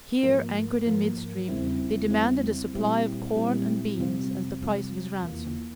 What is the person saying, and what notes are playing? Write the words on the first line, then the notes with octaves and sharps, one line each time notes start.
Here, anchored in mid-stream, they demanded a supply of corn and beans as the price of his ransom.
G#2 F3 A#3 F4 A#4
G#2 F3 A#3 F4 A#4
E2 C#3 G3 C4 E4
E2 C#3 G3 C4 E4
A#2 G3 C4 E4 G4
A#2 G3 C4 E4 G4
F2 C3 G3 C4 F4
F2 C3 G3 C4 F4
E2 E3 A#3 F4